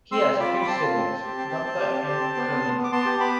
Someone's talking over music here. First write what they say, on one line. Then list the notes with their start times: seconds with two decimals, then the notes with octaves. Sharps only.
He has two siblings, Gunther and Karine.
0.11 C4 C6 E6
0.25 C4
0.39 F4 B5 D6
0.53 C4
0.62 B5
0.67 C4 A5 C6
0.82 F4
0.96 C4
1.09 C4
1.24 G4
1.38 C4
1.51 C4
1.66 C4
1.79 G4
1.93 C4
2.08 G4
2.22 C4
2.36 B3
2.49 B3
2.64 B3
2.77 B3
2.84 D6
2.92 B3 A5 C6
3.05 G4
3.20 B3 B5 D6